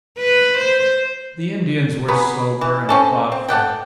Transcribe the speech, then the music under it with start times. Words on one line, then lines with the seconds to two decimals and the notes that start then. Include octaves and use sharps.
The Indians were sober and thoughtful.
0.18 B4
0.58 C5
2.08 F#3 B3 G#4 B5
2.61 E3
2.89 C4 C#4 A4
3.32 C4
3.48 A4 D5 F#5 G5